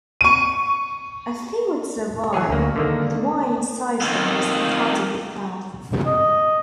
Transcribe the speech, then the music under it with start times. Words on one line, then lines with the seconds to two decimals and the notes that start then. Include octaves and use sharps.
A few would survive but the wine inside them was impossibly foul.
0.21 C#6 D#7
2.33 E3 F#3 G#4 C#5
2.49 D2 A#3
2.76 D3 D#3 A#3
4.01 F2 D#3
6.06 D#5